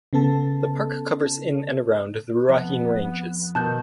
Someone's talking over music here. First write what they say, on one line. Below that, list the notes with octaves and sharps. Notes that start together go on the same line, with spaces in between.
The park covers in and around the Ruahine Ranges.
C#3 B3 A4 A5
F2 B3
B2 D#3 A5 F#6 G6